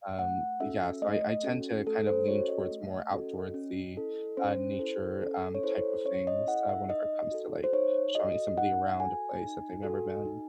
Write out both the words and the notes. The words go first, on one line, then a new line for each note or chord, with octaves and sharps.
Um, yeah, so I I tend to kind of lean towards more outdoorsy, uh, nature, um, type of things, uh, whenever it comes to, like, showing somebody around a place that they've never been.
A3 F#5
C#4 F#4 A4 E5
A3 D#5
C#4 F#4 A4
A3 A4
C5
C#4 F#4 A4 C#5
D#5
A3
C#4 F#4 A4
C#4
E4 A4
C#4 C5
E4 A4
C#4 A4
C#5
E4 A4 C5
C#4 C#5
D#5
E4 A4 F#5
E5
D#4 D#5
F#4 A4
C5
D#4 C#5
F#4 A4 D#5
D#4 F#5
F#4 A4 G#5
D#4
F#4 A4
D#4